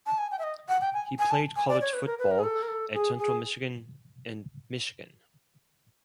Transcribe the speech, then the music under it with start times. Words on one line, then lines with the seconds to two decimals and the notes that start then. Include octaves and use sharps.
He played college football at Central Michigan and Michigan.
0.06 A5
0.18 G#5
0.31 G5
0.39 E5
0.43 D#5
0.69 F#5
0.81 G5
0.94 G#5
1.19 G#5
1.31 A5
1.56 G#5
1.68 D5
1.81 C#5
1.93 B4
2.06 A#4
2.19 B4
2.31 A#4
2.39 G#4
2.43 A4
2.63 A#4
2.68 A4
2.93 G#4
3.18 G#4